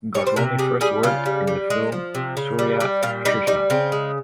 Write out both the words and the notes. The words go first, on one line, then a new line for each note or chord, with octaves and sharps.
Goswami first worked in the film "Surya Trishna".
G3 C#5
C5
C3 A#4
G3 G#4
G3 G#4
C#3 F4
G3
G3
G#3
F3
C3
C#3
G3
G3
A#2 F4
G3 D#4
G3 D#4
C#3 C4
G#3